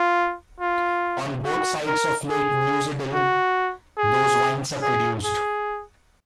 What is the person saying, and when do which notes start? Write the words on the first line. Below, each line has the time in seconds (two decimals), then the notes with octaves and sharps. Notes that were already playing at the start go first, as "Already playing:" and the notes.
On both sides of lake Neusiedl those wines are produced.
Already playing: F4
0.60 F4
1.44 F#4
1.87 A#4
2.29 G#4
3.14 F#4
3.98 G#4
4.82 G#4
5.24 G#4